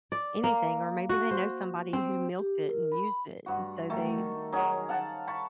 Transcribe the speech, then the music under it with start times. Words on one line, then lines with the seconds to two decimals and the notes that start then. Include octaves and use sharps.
anything, or maybe they know somebody who milked it and used it, and so they
0.12 D5
0.44 A#3
1.09 F#4
1.31 C5
1.93 C4
2.39 G4
2.70 A#4
2.92 B5
3.46 G2 F#4
3.90 D#3 A3
4.53 F#3 D#4 G#4 A#4
4.89 F5 F#5 A5
5.28 A5 B5 C#6